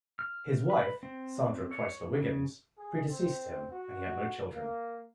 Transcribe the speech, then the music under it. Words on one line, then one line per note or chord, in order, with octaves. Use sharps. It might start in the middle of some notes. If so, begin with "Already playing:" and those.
His wife, Sandra Crysler-Wiggins, predeceased him, and he had no children.
F6
B4
C4
C#5
C#3
G#4
C4
F#4
A#3